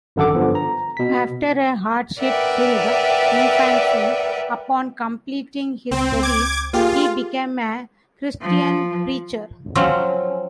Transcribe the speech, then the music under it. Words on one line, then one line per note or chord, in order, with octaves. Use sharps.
After a hardship-filled infancy, upon completing his studies, he became a Christian preacher.
G#1 F#2 D3 A4 F#5 D6
G2 D3 F3 B3
A#5
B2 B6
A#4 B4 D5 E5 F#5 G5
C#2 C4 G6
D6 G#6
A#3 F4 G4 G#4
F3
F3 F#3 C4 C#4